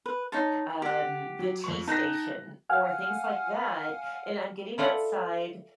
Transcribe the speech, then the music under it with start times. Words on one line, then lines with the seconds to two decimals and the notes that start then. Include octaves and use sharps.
um, the T station" or things like that, and I'm getting outside,
0.06 B4
0.32 D#4 C#5 A5
0.82 G4 F#5
1.39 F#3
1.64 F2 C#6
1.87 D#4 G5 A5 F#6 A#6
2.69 F5 F#5 G#5 F6
4.78 E4 F4 A4 D5 F#5